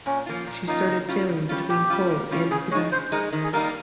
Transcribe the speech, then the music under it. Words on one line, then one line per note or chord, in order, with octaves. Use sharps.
She started sailing between Hull and Quebec.
A#2 C#4
F3 A#3 C#4 F4
A#2
F3 A#3 C#4 D#4 F4
C#3
G3 C#4 F4
C#3
G3 C#4 F4
A#2 G4
G3 C#4 F4
A#2
G3 C#4 F4
C#3 G#4
G#3 D#4 C#5
C#3 C5
G#3 D#4 A#4
D#3
G#4
G3 A#3 D#4 A#4
A#4